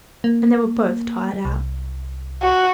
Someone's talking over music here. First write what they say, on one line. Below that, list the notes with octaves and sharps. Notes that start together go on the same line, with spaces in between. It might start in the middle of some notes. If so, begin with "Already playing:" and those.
And they were both tired out.
A#3
C2
F#4